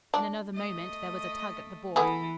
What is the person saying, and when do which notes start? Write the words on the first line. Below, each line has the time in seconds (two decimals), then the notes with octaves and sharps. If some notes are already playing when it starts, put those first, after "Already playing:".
In another moment there was a tug at the board.
0.14 D4
0.54 A3 D#5
1.96 E3 A3 B3 G#4